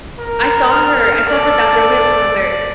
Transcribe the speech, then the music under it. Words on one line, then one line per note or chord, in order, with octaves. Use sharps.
I saw her I saw her Bad Romance concert.
A#4
F6
A4 D5